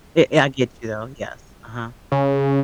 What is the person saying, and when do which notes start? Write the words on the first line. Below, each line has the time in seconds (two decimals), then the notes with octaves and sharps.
It yeah, I get you, though yes, uh-huh.
2.12 C#3